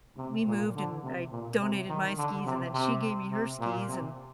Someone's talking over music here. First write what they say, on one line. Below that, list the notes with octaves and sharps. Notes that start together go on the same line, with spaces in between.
we moved, and I donated my skis, and then she gave me her skis, and
C3
A#2
D3
C3
A#2
C3
D#3
D3
C3
C3
C3
A#2
C3